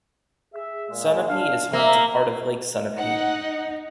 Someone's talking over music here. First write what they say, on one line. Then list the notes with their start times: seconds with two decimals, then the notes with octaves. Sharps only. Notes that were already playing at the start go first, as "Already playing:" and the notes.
Sunapee is home to part of Lake Sunapee.
0.54 G#4 E5
0.90 A#2 G#3
1.28 D4 F5
1.73 A#3 E5
2.97 D#4 F#5